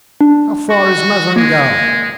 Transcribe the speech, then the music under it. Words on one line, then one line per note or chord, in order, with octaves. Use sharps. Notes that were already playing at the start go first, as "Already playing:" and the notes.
"How far is Mazingarbe?"
D4
F#4 C#6
G#3 A#3